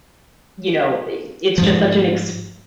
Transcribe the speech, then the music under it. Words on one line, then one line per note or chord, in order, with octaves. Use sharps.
You know, i it's just such an ex
G#2 F3